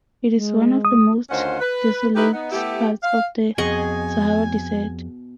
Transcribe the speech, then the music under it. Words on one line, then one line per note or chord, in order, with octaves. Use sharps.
It is one of the most desolate parts of the Sahara Desert.
G#3
D#6
D2 D#3 C#4 F4 C5 F#5
B4
D#4 E4 G4 A#4 B4
B3 D#4
A3 B3 E4 G4
F5
F2 B2 G#4 D#5 G#5 C#6